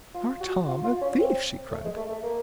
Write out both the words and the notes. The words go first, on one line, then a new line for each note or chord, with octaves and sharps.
"Our Tom a thief!" she cried.
F4
F#4
F4
F4
C#4
C4
A3
G#3
A3
A3
A#3